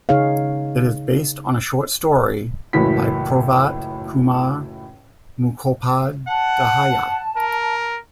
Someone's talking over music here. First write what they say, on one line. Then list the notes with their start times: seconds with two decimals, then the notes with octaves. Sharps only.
It is based on a short story by Provatkumar Mukhopadhyay.
0.09 C#3 D#4 G#4 C#5 F5
2.73 F#1 C#2 A2 E3 F#3 B6
6.28 F#5 A5
7.37 A#4